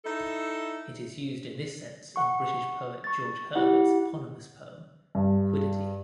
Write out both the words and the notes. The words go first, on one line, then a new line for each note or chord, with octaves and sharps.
It is used in this sense in British poet George Herbert's eponymous poem, "Quiddity".
D#4 E4 A4
F#5 C#6
C#6 A6
E4 G4 F#5
G2